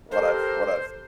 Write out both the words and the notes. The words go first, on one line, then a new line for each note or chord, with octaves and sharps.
what I've what I've
G4 A4 A#4 C5